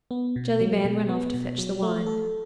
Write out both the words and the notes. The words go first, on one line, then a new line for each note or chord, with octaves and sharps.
Jellyband went off to fetch the wine.
B3
B2
F#3
B2
B3
B2
F#3
A3
A4